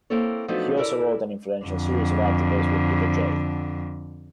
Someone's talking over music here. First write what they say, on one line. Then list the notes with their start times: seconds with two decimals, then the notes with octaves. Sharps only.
He also wrote an influential series of articles with Peter J.
0.10 A#3 C4 E4 A4 C#5
0.48 F3 F#3 A3 B3 D4 D#4
0.77 E4 A4 A#4 D5
1.65 F2 D3